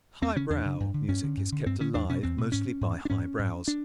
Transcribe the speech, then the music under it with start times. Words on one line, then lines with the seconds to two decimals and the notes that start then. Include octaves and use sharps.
"Highbrow" music is kept alive mostly by highbrows.
0.22 E2 C4
0.36 C#3 C#4
0.50 E2 D4
0.65 C#3
0.80 G2
0.94 D3
1.09 G2 C#4
1.23 D3
1.37 G2
1.52 D3
1.66 G2 C4
1.80 D3 C#4
1.94 E2 D4
2.09 B2 C#4
2.23 E2 C4
2.38 B2
2.52 G#2 C#4
2.81 G#2
3.05 D4
3.10 G#2 C#4
3.39 G#2
3.68 D4